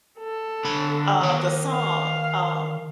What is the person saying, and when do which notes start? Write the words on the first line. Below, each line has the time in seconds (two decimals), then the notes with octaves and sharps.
uh, the song, um
0.20 A4
0.65 D3 B5
1.21 D#3 C#5
1.72 F5